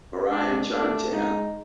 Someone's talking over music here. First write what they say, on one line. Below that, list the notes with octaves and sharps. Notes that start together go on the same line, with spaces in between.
Miriam turned to him.
G#3 D4
A3 D4
G#3 D#4